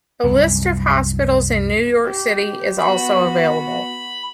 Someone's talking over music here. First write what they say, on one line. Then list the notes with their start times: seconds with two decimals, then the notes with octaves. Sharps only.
A list of hospitals in New York City is also available.
0.24 C2 F#2
2.05 G4
2.79 B3 F#4 B5